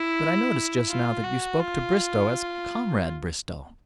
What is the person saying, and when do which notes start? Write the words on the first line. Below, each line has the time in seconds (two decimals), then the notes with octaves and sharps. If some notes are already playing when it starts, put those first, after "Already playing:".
But I noticed just now that you spoke to Bristow as Comrade Bristow.'
Already playing: E4
0.88 F4
1.24 F#4
1.60 F4